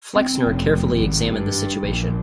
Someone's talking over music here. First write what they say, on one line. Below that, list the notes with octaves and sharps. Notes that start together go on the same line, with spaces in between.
Flexner carefully examined the situation.
C4
F1
G#1
G2
A#1